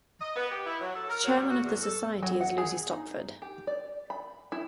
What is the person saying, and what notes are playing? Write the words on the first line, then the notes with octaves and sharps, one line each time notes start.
The chairman of the society is Lucy Stopford.
D#5
B3
G4
E4
F#3
A4
A#4
F#3
G3
F#4
E2
A4
F#3
F#5
G#4
D#4
G4
D5
B5
E4